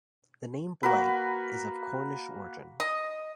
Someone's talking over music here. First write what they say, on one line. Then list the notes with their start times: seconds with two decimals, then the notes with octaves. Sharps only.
The name Blight is of Cornish origin.
0.83 A#3 F#4 A#4 B4
2.80 D#5